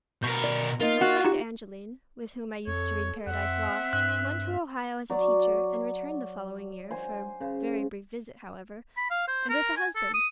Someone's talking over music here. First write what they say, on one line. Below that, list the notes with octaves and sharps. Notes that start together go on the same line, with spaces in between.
My friend Angeline, with whom I used to read "Paradise Lost," went to Ohio as a teacher, and returned the following year, for a very brief visit, however,--and with a husband.
B2 A#4 C#6 G6
D5
A#3 D#4 F4 A#4
F#4
D#4 F4 G4
F2 A4 C#5
F2 C4 E5 F#5
G2 F#6
F#3 D5
C5 G#5
C#3 C5
B5
F5
C5
A#4
G#5
A4
D#6